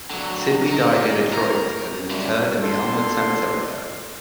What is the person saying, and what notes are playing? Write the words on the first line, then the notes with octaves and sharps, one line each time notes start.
Sibley died in Detroit and is interred in Elmwood Cemetery there.
D3 F#3
A#4 D#5
A#4 A#5
G3 C#4 D4 E4 F4
D3 A4 C6